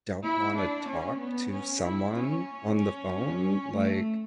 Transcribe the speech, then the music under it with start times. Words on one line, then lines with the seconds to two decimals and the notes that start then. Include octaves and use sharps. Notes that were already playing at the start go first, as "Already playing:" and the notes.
don't want to talk to someone on the phone, like
0.25 E4
0.56 D4
0.89 C#4
1.19 B3
1.52 C#4
1.83 E4
2.14 C#4
2.77 C#4
3.72 A3